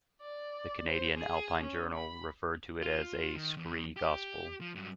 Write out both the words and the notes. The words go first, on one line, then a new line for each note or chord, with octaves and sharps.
The "Canadian Alpine Journal" referred to it as a "scree gospel".
D5
C5
G#4
C#4
B5
F4
D#3
E2
G4
F3
G2 F#3